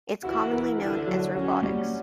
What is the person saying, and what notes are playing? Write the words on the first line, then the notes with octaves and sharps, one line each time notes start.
It is commonly known as "Robotics".
E3 E4 F#4
A#4
D3 D4 E4
F#3
C#4 F#4
G3